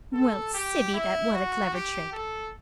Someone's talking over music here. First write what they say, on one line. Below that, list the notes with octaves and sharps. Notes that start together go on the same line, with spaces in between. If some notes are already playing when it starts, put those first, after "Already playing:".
Well, Sibby, that was a clever trick!
A4
G4
E4
F#4
G4
A4